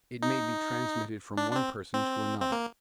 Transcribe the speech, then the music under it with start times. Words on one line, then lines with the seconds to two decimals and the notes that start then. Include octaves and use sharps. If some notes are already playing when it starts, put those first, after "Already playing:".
It may be transmitted from one person to another.
0.23 D#4
1.37 D4
1.51 D4
1.56 C4
1.94 C4
2.41 C4
2.52 A#3